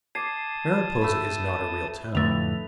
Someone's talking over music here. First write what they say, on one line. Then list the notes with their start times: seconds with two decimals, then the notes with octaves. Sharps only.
Mariposa is not a real town.
0.15 A5 D6 D#6 G#6 C7
1.01 A3 B5
2.15 F2 A2 D3 A3 B4 F7